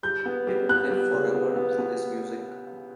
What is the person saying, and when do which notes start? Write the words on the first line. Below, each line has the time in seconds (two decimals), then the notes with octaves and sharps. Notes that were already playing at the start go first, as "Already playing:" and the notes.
He'll live forever through his music.
0.03 G3 G6
0.26 B3
0.47 G3
0.69 B3 F#6
0.91 G3
1.13 C#3
1.34 B3
1.56 B3
1.79 B3